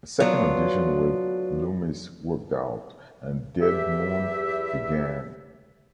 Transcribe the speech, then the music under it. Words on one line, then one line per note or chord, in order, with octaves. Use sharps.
A second audition with Loomis worked out, and Dead Moon began.
F#3 B3 D4 F4
E2 G4 E5